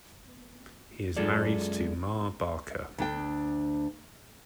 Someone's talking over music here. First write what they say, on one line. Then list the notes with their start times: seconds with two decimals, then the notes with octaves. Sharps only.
He is married to Ma Barker.
1.17 F#2 G#3 F4 G#4 A4 D5
2.98 D2 D4 G5